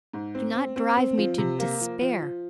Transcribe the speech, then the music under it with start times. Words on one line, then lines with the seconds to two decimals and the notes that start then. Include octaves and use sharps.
Do not drive me to despair.
0.13 G#2
0.35 C4
0.55 C4
0.76 C4
0.97 C4
1.18 F3
1.38 C3
1.59 A#3
1.80 F3
2.01 F3
2.21 F3